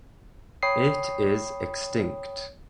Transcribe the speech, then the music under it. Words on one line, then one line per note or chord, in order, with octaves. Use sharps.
It is extinct.
C#5 G5 B5 D#6 C7